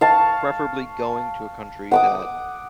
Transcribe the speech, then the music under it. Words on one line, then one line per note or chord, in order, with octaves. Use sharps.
preferably going to a country that
F5 A5 C#6
F#5 D6 D#6